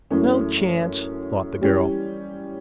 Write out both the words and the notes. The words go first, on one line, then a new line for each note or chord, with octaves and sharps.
"No chance," thought the girl.
F#2 E3 A3 C#4
E3 G3 C#4 G4